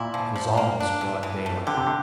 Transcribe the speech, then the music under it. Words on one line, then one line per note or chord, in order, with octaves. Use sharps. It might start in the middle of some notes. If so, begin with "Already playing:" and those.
It was almost broad daylight.
Already playing: A#2 E4
F3
F3
A#3
D4
E3
E3
A3
D3 G4
C3
D3